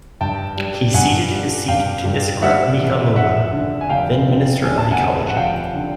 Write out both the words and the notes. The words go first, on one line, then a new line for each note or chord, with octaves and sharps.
He ceded his seat to Iskra Mihailova, then-minister of ecology.
G2 G5 A5
G3
G2 F#5 G#5
G3
G2 F5 G5
G2
G3 E5 F#5
E3
F1 E5 F#5
D3
G#5
F1 F5 G5
D3
D#2 G#5
A5
F#5 G#5
F1
F#5
F1 F5 G5
D3